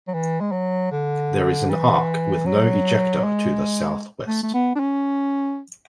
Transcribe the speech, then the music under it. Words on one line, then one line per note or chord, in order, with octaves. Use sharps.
There is an arc with no ejecta to the southwest.
F#3
E3
G#3
F#3
D3
E3
F#3
G#3
A3
A3
B3
D4
C#4